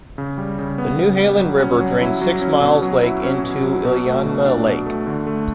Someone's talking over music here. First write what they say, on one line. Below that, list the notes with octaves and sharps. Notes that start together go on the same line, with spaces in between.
The Newhalen River drains Six Mile Lake into Iliamna Lake.
C#3
G3
C#3
B3
C#3
G3
F#3
C#4
F#3
E4
F#3
C#4
B2
F#3
E4
C#4
B2
F#3
B2
A3
B2
D4
B2
A3
D3
A3